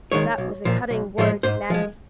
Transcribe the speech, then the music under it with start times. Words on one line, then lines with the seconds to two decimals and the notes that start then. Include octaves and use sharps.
That was a cutting word to Maggie.
0.12 D#3 G#3 C#5
0.38 B1
0.65 A#2 F3
0.91 B1
1.18 A2 F3 G#3
1.43 G#2 C5
1.70 F3 G#3